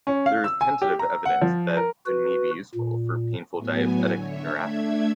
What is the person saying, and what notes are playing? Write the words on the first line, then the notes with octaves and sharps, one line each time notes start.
There is tentative evidence that it may be useful for painful diabetic neuropathy.
C#4
F5
E6
G#5
G4
A#5
F#5
F3
A#4
F#4 B4
A#2
A2 F#3 B3 G#5
D3 C#5 E5
A3 D4 E5 G#6